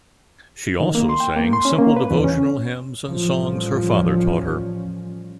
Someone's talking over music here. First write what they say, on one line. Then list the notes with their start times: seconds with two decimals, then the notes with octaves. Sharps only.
She also sang simple devotional hymns and songs her father taught her.
0.80 D#3
0.95 A#3
1.09 C6
1.20 G5
1.37 A#3
1.53 C6
1.65 C#4
1.78 A#3
1.96 B4
2.11 E2
2.24 C#4
3.05 A1 F3 G3 C#4